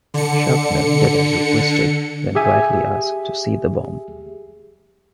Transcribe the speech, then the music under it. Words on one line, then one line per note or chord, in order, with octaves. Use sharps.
Schaffner did as requested, then quietly asked to see the bomb.
D3 C#7
G4 G#4 E5 G#5